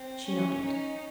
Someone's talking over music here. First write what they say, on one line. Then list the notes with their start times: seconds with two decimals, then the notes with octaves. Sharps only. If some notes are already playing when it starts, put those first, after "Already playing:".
She nodded.
Already playing: C4
0.24 C#4
0.61 C#4 D#4